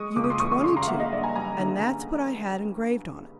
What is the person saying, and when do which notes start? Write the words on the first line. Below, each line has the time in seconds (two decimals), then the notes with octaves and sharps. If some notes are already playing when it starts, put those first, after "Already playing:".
You were twenty-two and that's what I had engraved on it.
Already playing: G#3 C#6 D#6
0.16 C#2 D6
0.24 D#6
0.30 C6 D6
0.40 E3 C#6 D#6
0.52 C#6 D#6
0.64 C#3 C6 D6
0.76 A#5 C6
0.82 F5
0.87 A#3 E5 F#5
1.00 D#5 F5
1.12 G2 D5 E5
1.23 G#5 A#5
1.35 G3 G#5 A#5
1.59 D3